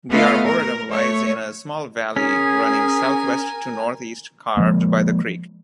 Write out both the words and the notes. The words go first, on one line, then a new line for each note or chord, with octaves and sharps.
The arboretum lies in a small valley running southwest-to-northeast carved by the creek.
A3 B3 F4 D#5 F5
A#4
A3 C#5
C#4 G#4 A#4 G#5
F3 G#3 A#3